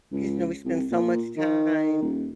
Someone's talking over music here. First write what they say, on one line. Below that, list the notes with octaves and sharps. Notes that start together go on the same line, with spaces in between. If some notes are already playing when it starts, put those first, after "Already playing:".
'cause, you know we spend so much time
C#2
C2
A#2
D#3
D#1